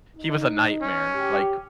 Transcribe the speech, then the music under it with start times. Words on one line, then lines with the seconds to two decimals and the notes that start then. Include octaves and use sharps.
he was a nightmare, like,
0.16 D#4
0.81 C#4
1.15 G4